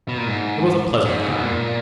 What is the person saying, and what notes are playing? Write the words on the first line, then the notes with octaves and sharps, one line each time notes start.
It was a pleasant time.
B2
A#2
G#2
G#2
C#3
B2
A#2